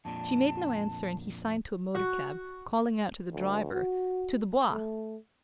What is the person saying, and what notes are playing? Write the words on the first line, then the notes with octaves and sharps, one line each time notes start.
She made no answer, and he signed to a motor-cab, calling out to the driver: "To the Bois!"
F2 A#2 D4 A5
F#4
D2
F#4
A3